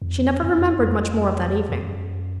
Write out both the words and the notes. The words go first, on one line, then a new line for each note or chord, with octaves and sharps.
She never remembered much more of that evening.
F2
F#2
F2
F#2
F2
F#2